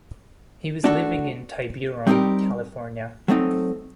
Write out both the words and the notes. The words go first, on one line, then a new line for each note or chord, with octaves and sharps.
He was living in Tiburon, California.
A3 D4 F#4 A4
G3 C4 D#4 G4 A#4
F#3 A3 C4 D#4